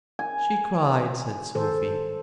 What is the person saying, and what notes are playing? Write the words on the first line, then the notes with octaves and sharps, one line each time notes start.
"She cried," said Sophie.
G#5
D#3 A4 C5